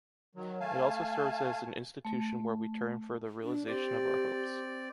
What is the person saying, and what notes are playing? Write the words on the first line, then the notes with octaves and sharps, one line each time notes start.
It also serves as an institution where we turn for the realization of our hopes.
D#3 F#3
A3 F5 G#5 A5
A3
D4
C4 G4 D5